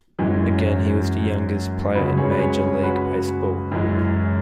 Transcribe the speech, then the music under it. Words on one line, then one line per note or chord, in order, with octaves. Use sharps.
Again, he was the youngest player in Major League Baseball.
F#2 E3 G#3 C#4
C#2 C#3 G#3 C#4 F#4 B4
G#4 C#5
B4
G#4 C#5
F#4 B4
F#2 E3 G#3